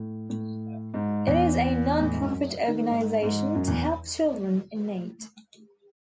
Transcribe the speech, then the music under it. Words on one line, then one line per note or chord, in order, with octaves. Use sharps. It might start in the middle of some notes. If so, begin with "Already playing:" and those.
It is a non-profit organisation to help children in need.
Already playing: A2
A2
G#2
E2
A2
G#2
F#2
D#3
G#2
G#2
F#2
E2